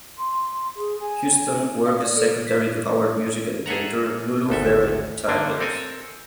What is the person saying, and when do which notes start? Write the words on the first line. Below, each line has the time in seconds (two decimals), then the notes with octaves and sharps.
Houston worked as secretary to Howard music educator Lulu Vere Childers.
0.18 C6
0.76 G#4
1.00 G#5
1.86 F5
2.00 D5
2.17 A4
2.47 B6
3.66 G#4 A4 E5 F#5 A#5
4.49 G#1 D2 A4 E5
5.27 G2 D3 A#3 D4 D#4
5.60 C4 A4 A#4 G#5